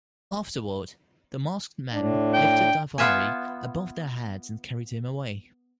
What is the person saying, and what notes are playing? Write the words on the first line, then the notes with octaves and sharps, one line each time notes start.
Afterward, the masked men lifted Daivari above their heads and carried him away.
A2 D4
G5
B3 F4 E5 G#5